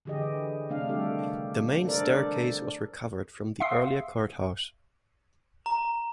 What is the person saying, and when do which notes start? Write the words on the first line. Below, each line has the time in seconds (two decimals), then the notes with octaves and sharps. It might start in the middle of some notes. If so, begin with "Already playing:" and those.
The main staircase was recovered from the earlier courthouse.
0.05 D3 E3 G4 G#4 D#5
0.69 C3 A3 D4 F5
0.88 D#3 G3 G4 A4
1.85 D4 A4 A#4 C5 D5
3.60 E5 F5 C6 D#6 E6 C7
5.66 A#5